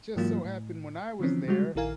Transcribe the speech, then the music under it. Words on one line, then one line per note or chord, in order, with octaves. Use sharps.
just so happened when I was there,
G#2 E3 F#3 A#3 F4
A2
D3 E3 F3 C4 C#4
C#3 G3 G#3 F#4
A#1 D#3 E4 A#4 F5 G#5